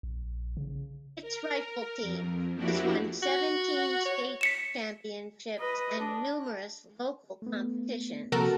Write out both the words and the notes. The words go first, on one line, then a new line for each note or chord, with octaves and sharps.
Its rifle team has won seventeen state championships and numerous local competitions.
A#1
C#3
A#4
F2
F3 A#3 D4 E4 F#4 G4
F#4
C#5
B6 C#7 E7
B4 D#5
D4
A3 B3
C3 F3 A#3 F#4 A4 A#4